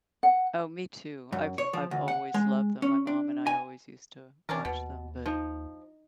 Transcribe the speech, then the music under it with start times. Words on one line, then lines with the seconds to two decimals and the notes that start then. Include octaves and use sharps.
Oh, me too. I've I've always loved them, my mom and I always used to watch them, but
0.23 F#5
1.32 F#2
1.58 C#5
1.73 F3
1.91 D2
2.08 F#5
2.34 G#3
2.82 C#4
3.07 D4
3.47 G#5
4.49 E3 C#4 D4 A#4 A6
4.65 D#2 B2
5.26 F3 D#4